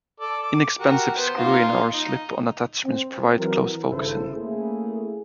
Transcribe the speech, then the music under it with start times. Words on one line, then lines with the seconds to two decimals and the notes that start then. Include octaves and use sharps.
Inexpensive screw-in or slip-on attachments provide close focusing.
0.20 A4 D5 D6
0.43 D6
0.80 F#4 G4 A#4
1.16 B3 B4 C5
1.38 A#3 D#4 F4
1.93 D#4 D#5
2.85 C4
3.38 E3 F#3 A#4
3.89 G#1 G2 C#3 E4 A4 C5
4.35 A3 A#3 C#4 E4 G#4